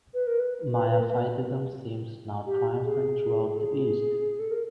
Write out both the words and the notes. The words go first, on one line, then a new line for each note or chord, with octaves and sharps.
Miaphysitism seemed now triumphant throughout the East.
B4
A#4
B4
B4
B4
A#4
B4
G4
G#4
A4
G#4
A4
A#4